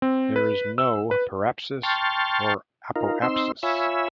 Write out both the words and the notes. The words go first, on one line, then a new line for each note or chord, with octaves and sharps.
There is no periapsis or apoapsis.
C4
B4
E6
B4
G5 A5 C6 C#6 F6 A6
D#4 F4 A#4
C4 D#4 C6 E6
F4 C#5 E5 G#5 B5 E6